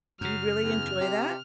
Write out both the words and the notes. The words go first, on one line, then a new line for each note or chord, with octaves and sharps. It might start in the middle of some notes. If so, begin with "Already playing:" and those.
Do you really enjoy that?
F#2 C#3 F#3 F6
E2
C3